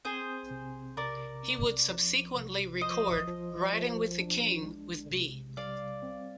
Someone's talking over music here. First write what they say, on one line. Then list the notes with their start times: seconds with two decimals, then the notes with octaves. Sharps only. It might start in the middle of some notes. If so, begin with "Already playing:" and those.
He would subsequently record "Riding with the King" with B.
0.05 C4 G#4 C5
0.51 C3
0.97 C3 A#4 D5
1.43 C4
1.89 F3
2.35 C3
2.81 F3 C5 D#5
3.27 F3
3.73 F3
4.19 D4
4.65 G#3
5.11 C3
5.57 G3 D5 F5
6.03 C4